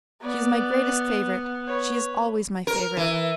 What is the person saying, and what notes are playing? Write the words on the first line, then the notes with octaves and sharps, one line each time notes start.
She is my greatest favourite. She is always my favourite.
B3 D5
B4 C#5
A#4
E3